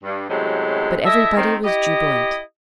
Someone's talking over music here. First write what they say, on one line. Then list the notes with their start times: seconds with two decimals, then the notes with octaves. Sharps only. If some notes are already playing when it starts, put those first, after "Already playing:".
But everybody was jubilant.
0.04 G2
0.29 F#2 A2 C3 F#3 G#3
1.05 E4 A4 D#5 E5
1.36 D#3 C4
1.65 E4 G4 D#5